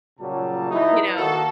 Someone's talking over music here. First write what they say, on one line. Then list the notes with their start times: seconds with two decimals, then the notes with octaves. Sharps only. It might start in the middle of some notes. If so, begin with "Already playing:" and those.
you know?
0.19 A#2 C#3 F#3 G3 A5
0.70 E3 D#4
1.16 D#3 A#3 F#4 A4